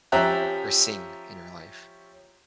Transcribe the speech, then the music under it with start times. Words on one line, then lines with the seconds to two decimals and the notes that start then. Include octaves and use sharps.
or sing in your life
0.12 F3 C#4 G4 E5 A#5 F#6